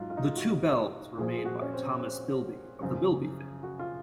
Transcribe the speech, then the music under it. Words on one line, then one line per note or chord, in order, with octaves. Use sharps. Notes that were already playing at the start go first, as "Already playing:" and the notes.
The two bells were made by Thomas Bilbie of the Bilbie family.
Already playing: G#2 F#3 F4
F4
D#4
F4
F#4
A#2 F3 G#4
G#4
F#4
C#4
C4
C4
F#2 C#3 F3
F#4
F4